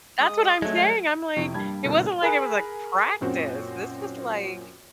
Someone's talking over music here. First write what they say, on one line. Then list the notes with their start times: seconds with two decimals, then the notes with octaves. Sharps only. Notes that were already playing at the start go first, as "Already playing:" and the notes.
That's what I'm saying, I'm like, it wasn't like it was, like, practice, this was, like
0.20 G#3 D#6
0.62 F#3 G#3 A3 G#6
1.37 F2 C3 E4 C#6 D7
1.54 G2 G3 A#3 A5 B5 G#6
1.83 G1 C2 B2 A#3 A4 A5
2.22 G#4 A#4 G#5 A#5 B5 F#6
3.21 F#2 A#2 C4 F#4